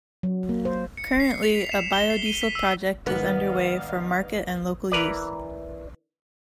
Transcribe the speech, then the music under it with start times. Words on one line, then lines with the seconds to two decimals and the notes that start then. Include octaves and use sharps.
Currently, a BioDiesel project is under way for market and local use.
0.23 F#3
0.49 A#3
0.65 C5
0.97 C#7
1.20 C7
1.43 F7
1.55 B6
1.72 E7
1.93 G7
2.10 C7
2.26 D#7
2.42 B6
2.55 E6
3.07 G#2 D#3 B3 B4 D5 D#5 F5
4.92 E3 A#4 B4 D5